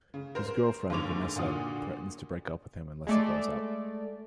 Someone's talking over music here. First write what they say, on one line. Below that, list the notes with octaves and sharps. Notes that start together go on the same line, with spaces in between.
His girlfriend, Vanessa, threatens to break up with him unless he grows up.
C#3
A#4 C5
D#2 G#2 D3 C#5 D6 F7
A#2 D3 F4 F#4 D#6
G#3 A3 D5